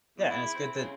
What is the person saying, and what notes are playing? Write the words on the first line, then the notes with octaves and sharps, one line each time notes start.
Yeah. And it's good that
E2
E4
C4
C#3